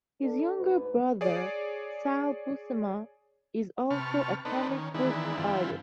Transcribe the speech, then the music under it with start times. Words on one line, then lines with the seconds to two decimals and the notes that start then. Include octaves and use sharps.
His younger brother Sal Buscema is also a comic book artist.
0.21 D4 A4
0.60 D2 G#2 B4
1.21 G#4 C#5 D5
3.90 C3 B4 A5 C#6 F6
4.45 B3 D4 D#4 A4 B4 C5
4.69 D#3 C#4
4.94 D#3 E3 G#3 B3 D4 E4
5.37 G2 D3 E3 C4 E4 F4